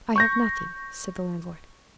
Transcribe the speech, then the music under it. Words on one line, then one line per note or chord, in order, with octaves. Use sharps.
"I have nothing," said the landlord.
C#6 G6 A#6